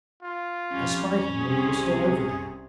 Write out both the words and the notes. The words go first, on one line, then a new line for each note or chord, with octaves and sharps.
I spied him when he was still over there.
F4
F2 G3 C#4
C2 C3 G#4